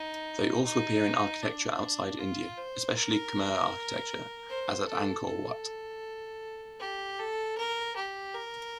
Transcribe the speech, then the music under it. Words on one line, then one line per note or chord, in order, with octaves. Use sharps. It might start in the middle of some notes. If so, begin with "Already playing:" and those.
They also appear in architecture outside India, especially Khmer architecture, as at Angkor Wat.
Already playing: D#4
D#4
D4
F4
C5
A#4
C5
A4
A4
G4
A4
A#4
G4
A#4